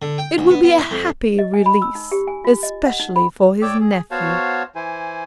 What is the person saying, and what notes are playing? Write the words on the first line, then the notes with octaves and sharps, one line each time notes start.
It will be a happy release--especially for his nephews.'
D3
G5
D2
B3
B3
E4
F2
D#5
G#5
B5
E6
D#4
G4
G#5
F4
D#5
F#5
D#4
B5
A2 C#5 D5 G5 D6 E6
G#4
B3 F#4 C5 C#5 F5 A5
E3 E4 C5 G#5